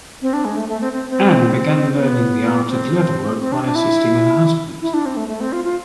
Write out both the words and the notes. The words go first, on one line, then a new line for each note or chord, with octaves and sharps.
Ann began learning the art of leatherwork by assisting her husband.
C4
D4
G#3
A3
A3
C4
C4
C4
B3
C4
C4
D4
D4
E4
E4
D4
C4
A3
A3
C4
F4
F4